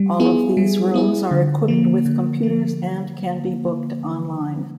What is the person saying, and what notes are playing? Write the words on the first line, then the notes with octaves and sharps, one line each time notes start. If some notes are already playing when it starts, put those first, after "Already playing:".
All of these rooms are equipped with computers and can be booked online.
Already playing: G3
B3 E4 G#4
G3
B3 E4 G#4
D3
F3 A#3
D3
F3 A#3